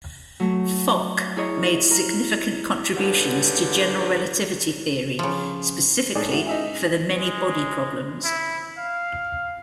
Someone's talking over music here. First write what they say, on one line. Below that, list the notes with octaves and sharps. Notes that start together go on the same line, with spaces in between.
Fock made significant contributions to general relativity theory, specifically for the many body problems.
F#3 A3
E4 G#4 A#4 C#5 D#5
A#4
G#2 D3 F#3 B3 F4 G4
C#3 F3
A2 G#3 D#4 G#4 D5
C#4 E4 F#4
D#4 E5 G#5
G#3
E4
F5